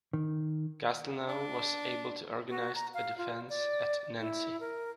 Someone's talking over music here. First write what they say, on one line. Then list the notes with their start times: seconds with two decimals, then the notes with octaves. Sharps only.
Castelnau was able to organize a defence at Nancy.
0.13 D#3
1.28 D4
2.49 F#4
2.75 A#5
2.94 F5
3.18 F4
3.49 D5
4.20 E4
4.60 A#4